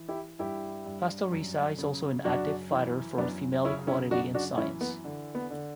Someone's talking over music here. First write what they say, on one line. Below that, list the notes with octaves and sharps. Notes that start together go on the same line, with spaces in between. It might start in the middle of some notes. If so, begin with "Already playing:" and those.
Pastoriza is also an active fighter for female equality in science.
Already playing: E3
E4 G4
G2 E4 G4
G2
F#2
C#3
F#2 D4 F#4
E3
F#2 B3 D4
C#3 C#4 E4
C#4 E4
F#2 D4 F#4
D4 F#4
E3 C#4 E4
B3
D3
B3
D3